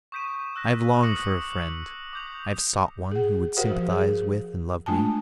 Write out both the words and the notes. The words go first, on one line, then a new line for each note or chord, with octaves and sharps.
I have longed for a friend; I have sought one who would sympathize with and love me.
C#6 D#6 G6 B6 D7 D#7
E6 F#6 A#6
D6 D#6 F#6 A#6 C#7 F#7
D6 G6 F7
G#4 F#5
F#4 G4 A#4 C5 F5 F#5
F3
G#4
G#3 A3 D4 F4 G#5 A5